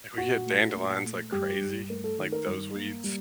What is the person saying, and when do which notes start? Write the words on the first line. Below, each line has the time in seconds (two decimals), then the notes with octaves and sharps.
like, we get dandelions, like, crazy, like, those weeds,
0.18 A#2 F#4
0.47 A3
0.75 A#2
1.04 A3
1.32 G2 G4
1.61 G2
1.89 A3 A#4
2.04 A4
2.18 D#3
2.32 A#4
2.46 G2
2.75 A#3
3.04 G3